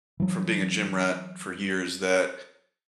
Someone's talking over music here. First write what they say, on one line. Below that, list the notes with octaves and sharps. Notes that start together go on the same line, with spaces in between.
from being a gym rat for years- that
E3 F#3